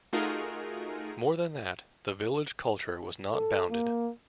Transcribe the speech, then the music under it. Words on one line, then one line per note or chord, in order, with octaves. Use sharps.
More than that, the village culture was not bounded.
A3 D#4 F4 F#4 G#4 A#4
A4
A#3